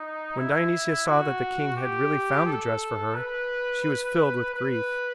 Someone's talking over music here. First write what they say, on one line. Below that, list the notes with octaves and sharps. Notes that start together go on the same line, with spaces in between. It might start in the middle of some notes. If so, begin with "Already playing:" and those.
When Dionysia saw that the king had really found the dress for her she was filled with grief.
Already playing: D#4
E4
F#4
G4
A4
B4
B4